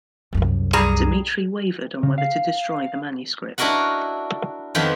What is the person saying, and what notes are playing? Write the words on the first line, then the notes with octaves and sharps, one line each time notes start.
Dmitri wavered on whether to destroy the manuscript.
C2 F#2
G3 G#4 A#5
C#3
F5
D4 E4 F#4 A#4 D#5 F#5
F2 D#3 F3 B3 B5